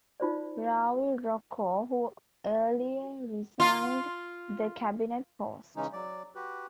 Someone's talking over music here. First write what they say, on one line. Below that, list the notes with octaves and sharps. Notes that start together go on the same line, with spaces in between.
Raul Roco, who earlier resigned the cabinet post.
D#4 F4 C5 D5
F4
C#3 E3 G#3 C#4 D#4
F#3 D5
F#4 G4 B4